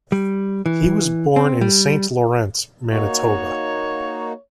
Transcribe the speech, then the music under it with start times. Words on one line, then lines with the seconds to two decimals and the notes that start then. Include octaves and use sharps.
He was born in Saint Laurent, Manitoba.
0.12 G3
0.66 E3
1.36 C4
1.61 G3
2.91 A#3 D#4 F#4 C#5